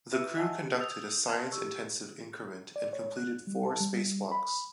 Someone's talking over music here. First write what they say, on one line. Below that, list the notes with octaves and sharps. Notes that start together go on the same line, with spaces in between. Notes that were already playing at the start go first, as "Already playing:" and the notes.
The crew conducted a science-intensive increment and completed four spacewalks.
E4 F4 B4 E5 E6 D#7
D#5 E5 F#5 G#5 A5 E6
G4
D#6 E6 G6 A6 F7
A5 C6 F#6 G#6
G4 C#6 E6
D5
C#5
F#6
G3
A5
G3
B5